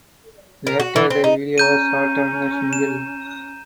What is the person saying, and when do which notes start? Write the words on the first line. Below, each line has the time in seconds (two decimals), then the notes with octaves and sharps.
Later the video was shot on the single.
0.67 A#4
0.80 F#4
0.96 E3
1.10 C4
1.24 D#4
1.58 C#4 A#5 G6 D#7
2.73 E7